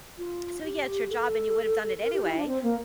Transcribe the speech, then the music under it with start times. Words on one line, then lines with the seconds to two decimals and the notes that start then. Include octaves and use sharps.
so yeah, it's your job and you would have done it anyway,
0.18 F4
0.64 G4
1.10 A4
2.02 A#4
2.13 G4
2.25 E4
2.36 D4
2.47 C4
2.63 A#3